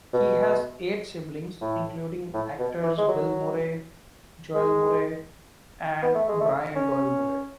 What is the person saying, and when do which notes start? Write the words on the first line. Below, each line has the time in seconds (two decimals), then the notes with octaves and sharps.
He has eight siblings, including actors Bill Murray, Joel Murray and Brian Doyle-Murray.
0.13 B2
1.61 A2
2.34 A2
2.59 B2
2.83 E3
2.98 G#3
3.08 F#3
4.55 G#3
6.02 B3
6.15 A3
6.28 G#3
6.41 A3
6.75 C#4